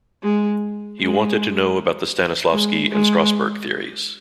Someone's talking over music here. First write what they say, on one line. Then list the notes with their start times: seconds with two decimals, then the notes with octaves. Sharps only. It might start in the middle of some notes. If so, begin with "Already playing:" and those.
He wanted to know about the Stanislavski and Strasberg theories.
0.23 G#3
0.99 G#3
2.52 G#3
2.91 G#3